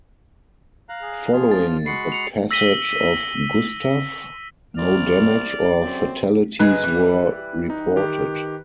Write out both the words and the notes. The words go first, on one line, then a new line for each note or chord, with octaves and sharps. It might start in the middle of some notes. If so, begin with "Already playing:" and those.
Following the passage of Gustav, no damage or fatalities were reported.
F5 A#5 F#6
G#4
F3 F4 G#4 F6
A6
G#3 F#4 B5 C7 C#7
C#7 F7
E6 A#6 B6 D#7 G7
C2 D5 F6
F#2 C4
C#3 F#3 G#3 B4
E3 G3
D#4
D#3 G4